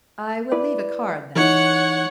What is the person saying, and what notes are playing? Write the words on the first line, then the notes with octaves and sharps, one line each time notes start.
"I will leave a card then."
E4 B4 D5
E3 D#4 E4 C#5 F#5